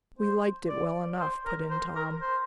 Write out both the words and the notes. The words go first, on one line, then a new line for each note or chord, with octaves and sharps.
"We liked it well enough," put in Tom.
C5
D5
C5
A#4
C5
A#4
C5